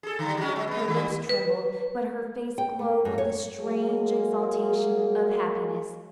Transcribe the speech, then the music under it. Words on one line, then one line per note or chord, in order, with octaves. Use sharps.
Her lips trembled; but her face glowed with a strange exaltation of happiness.
G#4 A4
D3 G3
F#3 G#3 C#4
G#3
G#3 B3
D#3 G3
B4
G5
A3
F#2
C#5
F#3 G#3 A#3 G#4